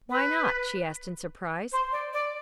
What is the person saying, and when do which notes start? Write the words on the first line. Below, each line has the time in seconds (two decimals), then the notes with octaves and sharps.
"Why not?" she asked in surprise.
0.10 B4
1.72 C5
1.92 D5
2.13 D5